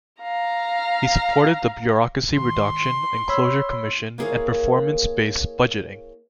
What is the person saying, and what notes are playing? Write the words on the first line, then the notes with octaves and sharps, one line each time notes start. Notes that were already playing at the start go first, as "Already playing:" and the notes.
He supported the Bureaucracy Reduction and Closure Commission and performance-based budgeting.
F5 A#5
G#1 C6
C#5 B5 E6
A#3 E4 G#4 A#4 C#5 F5